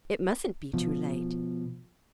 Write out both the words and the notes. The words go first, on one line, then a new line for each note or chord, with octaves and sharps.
It mustn't be too late!
B2 F3